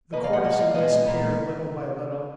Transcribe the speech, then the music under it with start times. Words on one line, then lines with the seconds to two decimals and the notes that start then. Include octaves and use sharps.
The courtesan disappeared little by little.
0.13 B2 A#3 B4 D#5
0.24 D5 F5
0.33 D#5 F#5
0.44 B2 A#3 D#5 F#5
0.60 D5 F5
0.74 A#2 G#3 B3 B4 D#5
1.06 A#2 G#3 B3